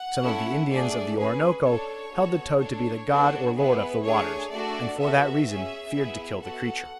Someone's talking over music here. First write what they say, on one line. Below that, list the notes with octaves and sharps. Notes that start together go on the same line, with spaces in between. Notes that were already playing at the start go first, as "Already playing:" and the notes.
Some of the Indians of the Orinoco held the toad to be the god or lord of the waters, and for that reason feared to kill the creature.
Already playing: F#5
A3 C#4 E4 A4
A3 D4 G#4 D5
C#4 G#4 B4
D4 A4 C#5
B3 F#4 A4
D4 A4 C#5
B3 D4 F#4 A4
B3 E4 G#4 B4
A3 D4 G#4 C#5
A3 D4 F#4 A4 D5
B3 F#4 A4 E5
C#4 G#4
B3 E4 G#4
B3 F#4 A4 F#5